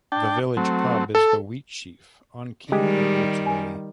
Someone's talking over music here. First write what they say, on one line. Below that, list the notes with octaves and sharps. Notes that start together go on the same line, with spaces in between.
The village pub is the Wheatsheaf on King Edward's Way.
D4 G5 A5
F#3 A3 C4
A4 A5
D#3 G3 G#3 G4
G#5